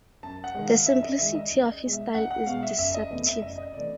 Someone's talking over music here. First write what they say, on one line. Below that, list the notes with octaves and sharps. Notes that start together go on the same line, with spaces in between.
The simplicity of his style is deceptive.
F#2 A5
F#5
D#3 G#3
F5
F#2 E5
D#5
D#3 G#3 E5
D#5
C#2
D#5
B2 G#3
E5
C#2 F#5
F#5
B2 G#3 F5
E5
F#1 E5
D#5
E2 C3 E3 A3
E5
F#1 D#5
D#5
C3 E3 A3 D5